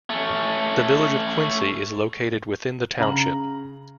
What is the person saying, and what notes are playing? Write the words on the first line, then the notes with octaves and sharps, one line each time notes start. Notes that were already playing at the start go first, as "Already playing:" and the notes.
The village of Quincy is located within the township.
A3 C#4
C#3 A#5 F#7